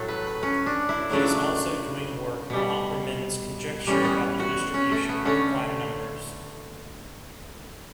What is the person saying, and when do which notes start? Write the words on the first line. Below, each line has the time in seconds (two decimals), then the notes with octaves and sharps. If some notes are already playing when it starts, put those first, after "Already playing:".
He is also doing work on Oppermann's conjecture about the distribution of prime numbers.
Already playing: A2 F#3 A3 A4
0.08 B4
0.27 B4
0.43 C#4
0.66 D4
0.89 E4
1.10 C#3 F#3 A3 D4
2.50 B2 G3
3.87 A2 E3 G3 C#4
4.04 B3
4.40 F#4
4.74 C#4
4.92 A3
5.09 B3
5.25 D3 A3 C#4